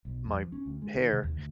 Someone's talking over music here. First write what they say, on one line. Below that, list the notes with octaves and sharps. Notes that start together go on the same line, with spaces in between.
my hair,
B1
F2
F3
C#4
D2
G#3
D#3
C3
D#2
D2